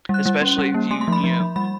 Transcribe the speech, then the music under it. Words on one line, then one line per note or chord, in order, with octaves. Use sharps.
Especially if you, you know
G3 F#6
G3
C#4
G3
A#3
A3 C6
C6
F3 B5
F3
F3
G3 B5